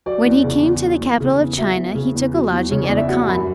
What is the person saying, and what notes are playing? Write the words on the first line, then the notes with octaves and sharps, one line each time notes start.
When he came to the capital of China, he took a lodging at a khan.
F#3 D5
E2
C#3
E2
F#3
E2
C#3
E2
F#3 E5
E2
C#3
E2
F#3
E2
C#3 C#5
D5
E2
E5
F#3 F#5
F#2 B5